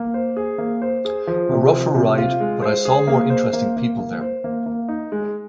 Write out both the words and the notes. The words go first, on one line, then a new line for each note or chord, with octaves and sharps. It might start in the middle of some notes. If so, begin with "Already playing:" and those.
A rougher ride but I saw more interesting people there.
Already playing: A#3
C5
G#4
A#3
C5
G#4
F3
C3
F3
C3
F4
G#3
C5
G#4
A#3
C5
A#3
A#3
A#3
C5
A#3
A#3
D#4
G#3